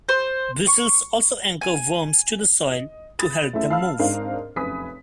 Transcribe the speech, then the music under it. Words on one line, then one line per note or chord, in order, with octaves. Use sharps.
Bristles also anchor worms to the soil to help them move.
C5
C#6
G#5
D#5
B5 D#6 A6
F#1 A3 E4 E5
F5 A5 B5 E6 F6
G#2 C4 D4 A#4 F5
F1 F#2 B4 G#5 D#6 B6